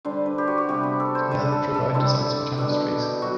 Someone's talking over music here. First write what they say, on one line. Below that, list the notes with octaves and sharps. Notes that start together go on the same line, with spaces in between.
He helped provide designs for tapestries.
D3 G3 D4 C5
B4
G4
F#4
F#4
C3 G3 B3 G4
G4
A4
C5
D3 G3 D4 B4
A4
A4
D3 G3 C4 E4
B2 G3 D4
B2 F#3 F#4